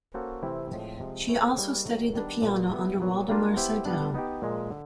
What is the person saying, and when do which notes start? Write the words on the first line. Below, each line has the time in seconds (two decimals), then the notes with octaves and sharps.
She also studied the piano under Waldemar Seidel.
0.14 A#3 C#4 F#4 A4 C5
0.43 C3 E3 A3 C4 E4
0.71 A2 F3 G#3 C4
1.00 C3 F3 G#3
1.28 A3 C4 E4 A4 C#5
1.57 G3 A#3 D#4 G#4 C#5
1.85 D#3 F#3 A3
2.14 D#3 G3 B3 D4
2.42 A#2 F#3 B3
2.71 G3 B3 E4
3.00 A#2 F#3 B3
3.28 G3 A#3 D4 F4
3.56 B3 E4 G4 C5
3.85 G3 B3 D4
4.14 B3 D#4 G4
4.42 A#2 F3 G#3
4.71 D3